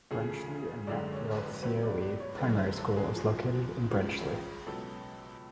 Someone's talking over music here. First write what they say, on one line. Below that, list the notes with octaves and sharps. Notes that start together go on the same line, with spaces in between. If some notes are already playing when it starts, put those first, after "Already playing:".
Brenchley and Matfield CoE primary school is located in Brenchley.
D2 C#3 F3 A3 G#4
F#1 F#2 D3 G#3 D5
C#5
B4
C#2 B2 F#3 B4
D5
D5
C#5
F#1 F#2 D3 G#3 B4
B4
A4
G#4
F#1 F2 F3
C#2 C#3 F3
C#2 B2 F#3 B3 A4